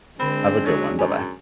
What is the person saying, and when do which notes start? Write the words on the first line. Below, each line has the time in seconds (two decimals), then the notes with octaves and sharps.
Have a good one. Bye-bye.
0.20 D3 G#3 C4 D4 B5
0.66 F#3 F#4 C#5
0.99 F#2 G#5